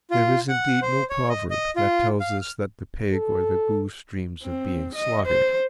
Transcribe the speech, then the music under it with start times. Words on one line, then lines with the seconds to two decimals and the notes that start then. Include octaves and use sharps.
There is indeed no proverb that tells us that the pig or the goose dreams of being slaughtered.
0.11 F4
0.49 F#5
0.82 C5
1.10 C#5
1.29 D#5
1.51 D#5
1.76 F4
2.20 F5
2.41 F6
3.13 A4
4.43 C4
4.95 D#5
5.26 C5